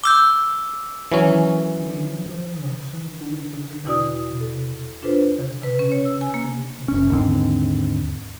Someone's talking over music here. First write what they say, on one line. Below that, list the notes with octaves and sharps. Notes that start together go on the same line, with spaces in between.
He also claimed to have "mentioned two Republicans' names" as unbiblical examples.
D6 E6 G6
E3 F#3 C#4
E2 B2 E4 F#4 D5 D#6
A4
D4 F4 A4 B4 C5
B4
C#4
C#5
E6
G#5
A#3
F#1 C#4
D#2 G#2 D3 C4